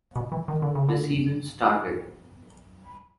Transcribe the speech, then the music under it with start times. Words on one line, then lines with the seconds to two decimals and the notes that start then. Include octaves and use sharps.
The season started.
0.16 B2
0.32 E3
0.48 D#3
0.62 D3
0.75 C#3
0.89 D3